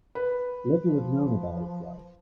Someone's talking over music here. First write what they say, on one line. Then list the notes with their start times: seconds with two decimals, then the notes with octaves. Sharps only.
Little is known about his life.
0.15 B4
0.85 F3